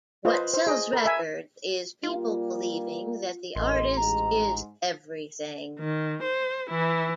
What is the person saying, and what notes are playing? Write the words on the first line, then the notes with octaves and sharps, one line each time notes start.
What sells records is people believing that the artist is everything.
F4 B4 C5 D#5
C5
G#4 D#5
A#4 B5
E5 G#5
G3 A#3 F4
A1 F#2 A#4 D#5 C6
G#2 G#3 A#5
D#3
C5
E3 E4